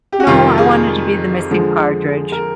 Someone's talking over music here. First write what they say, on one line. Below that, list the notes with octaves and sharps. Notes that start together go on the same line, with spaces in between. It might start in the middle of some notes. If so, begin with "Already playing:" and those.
No, I wanted to be the missing Partridge.
G4
F#4
F2 C3 D#3 G3 F4
G#4
D3 F3 G#3
A#4